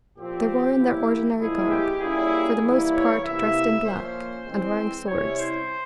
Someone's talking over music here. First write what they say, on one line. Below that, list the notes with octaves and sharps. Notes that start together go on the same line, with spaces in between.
They were in their ordinary garb; for the most part dressed in black, and wearing swords.
A#2 F3 C4 G4
E3 A#3 E4
A#2 F3 G#3 E4 G#4
G4
A#2 G3 A#3 C#4 E4 G#4
E3 G3 A#3 E4
C#5
C3 E3 A#3 E4 E5
A#2 F3 A#3 C#4 C5
E3 G#3 C4
C3 G3 C#4 E4 C#5
C5